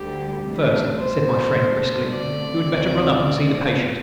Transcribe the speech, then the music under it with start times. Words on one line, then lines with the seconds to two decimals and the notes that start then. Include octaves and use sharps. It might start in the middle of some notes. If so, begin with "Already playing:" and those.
"First," said my friend briskly, "you had better run up and see the patient."
Already playing: D2 D3 G3 G4
0.42 D2 C3 E3 G3 D4
0.98 B2 G3 B3 C5
1.54 F#2 E3 G3 D4 A4
2.10 D3 A3 C4 D5
2.65 D2 C3 G3 C4 F#4
3.22 B2 A3 C4